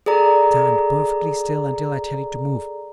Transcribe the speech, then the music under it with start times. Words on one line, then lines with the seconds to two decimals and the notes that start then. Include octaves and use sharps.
"Stand perfectly still until I tell you to move."
0.06 G#4 A4 D5 A#5